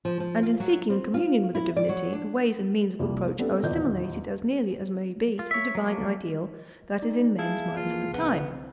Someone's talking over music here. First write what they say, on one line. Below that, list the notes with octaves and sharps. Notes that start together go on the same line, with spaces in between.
And in seeking communion with the divinity the ways and means of approach are assimilated as nearly as may be to the divine ideal that is in men's minds at the time.
F3
F3
F4
F#3
C4
F4
E4
D5
F#3
D4
C2 F2 G3 A#3
A3 B3 C4 D4 G4 A4
D#1 E2 D5 D#5 G6
F4
C#5 E5
F#3 A3 A#3
D#4 D5
E4 G#4 F5 A5
F2 E3 A#3 F4
C2 E3 B3 C4